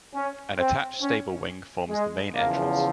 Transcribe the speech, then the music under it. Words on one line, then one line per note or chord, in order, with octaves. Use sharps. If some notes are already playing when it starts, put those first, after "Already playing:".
An attached stable wing forms the main entrance.
C#4
C4
C#4
G#3
E2 C#3 F3 A#3